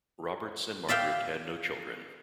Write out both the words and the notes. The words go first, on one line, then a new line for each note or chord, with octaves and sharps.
Roberts and Margaret had no children.
D5 E5 F5 G5